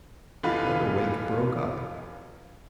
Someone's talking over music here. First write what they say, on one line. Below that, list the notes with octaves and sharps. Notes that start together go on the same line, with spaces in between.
Then the wake broke up.
F1 E3 D#4 F4 B4